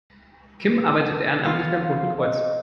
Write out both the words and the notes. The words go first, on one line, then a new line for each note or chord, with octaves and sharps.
Kim arbeitet ehrenamtlich beim Roten Kreuz.
B4
B3 F4 F5
D#5